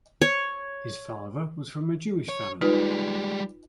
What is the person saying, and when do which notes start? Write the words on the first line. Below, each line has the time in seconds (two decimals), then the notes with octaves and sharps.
His father was from a Jewish family.
0.22 C#5
2.29 C#5
2.61 G3 G#3 D#4 F4 B4